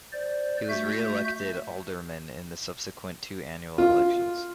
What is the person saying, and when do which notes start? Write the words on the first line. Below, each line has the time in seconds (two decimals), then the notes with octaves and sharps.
He was re-elected alderman in the subsequent two annual elections.
0.12 C5 D5
0.69 A3 F#4 E5 G6
3.78 F4